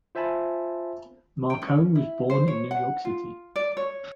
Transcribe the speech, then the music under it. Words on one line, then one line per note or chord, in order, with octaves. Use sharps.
Markoe was born in New York City.
F4 C5 E5 G#5 A5 B5
G5
C#4
E4
C5
C#5
F#5
F4
D5
C#5